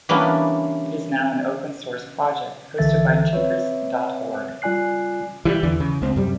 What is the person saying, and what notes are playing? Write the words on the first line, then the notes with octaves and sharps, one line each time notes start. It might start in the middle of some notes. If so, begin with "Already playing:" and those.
It is now an open source project hosted by Tigris dot org.
E3 G3 A#3 B3 C#4 D4
C2 D3 E3 A4 E5 A6
C4 B4 C#5 E5
G3 F4 D5 G#5 F#6 C7
E3 F3 G3
E2 D3 E3
C#3
C#2 C4
F#2 C3 G3